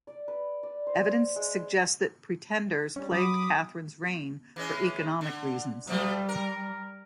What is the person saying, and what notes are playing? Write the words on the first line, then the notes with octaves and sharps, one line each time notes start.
Evidence suggests that pretenders plagued Catherine's reign for economic reasons.
D5
B4
D5
C5
G#3
G3 C#4
F#3 B5 D6 D#6
E3 G#3 C#4
D3
B2 F3 G3 A3
A#4